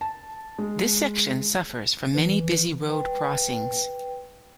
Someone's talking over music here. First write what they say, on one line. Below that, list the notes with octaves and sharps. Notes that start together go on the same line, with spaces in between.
This section suffers from many busy road crossings.
A5
G#3
E3
B4 G5